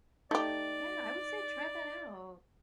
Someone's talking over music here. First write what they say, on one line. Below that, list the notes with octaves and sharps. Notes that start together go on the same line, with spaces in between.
Yeah, I would say try that out.
A3 D#4 G4 D5